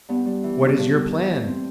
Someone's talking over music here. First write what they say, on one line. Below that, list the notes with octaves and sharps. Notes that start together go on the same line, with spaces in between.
"What is your plan?"
G2 B3
G3
E3
G2
G2
G3
E3
G2
A2 C4